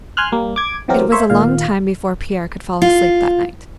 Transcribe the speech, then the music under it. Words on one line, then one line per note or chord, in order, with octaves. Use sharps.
It was a long time before Pierre could fall asleep that night.
G#5 C6 F6 F#6
G3 A#3
D6 G#6
C3 E3 F#3 C4 G4 A#4
A#3 C5 C#5 E5
D#2 A#2 F5
F4